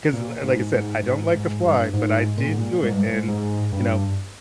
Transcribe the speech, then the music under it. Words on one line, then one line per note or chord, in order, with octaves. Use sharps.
'cause, uh, like I said, I don't like to fly, but I did do it and, you know
A#2
G#2
G#2
G#2
G#2
G2
G#2
A#2
G#2
A#2
G#2
G2
G#2
G#2
G2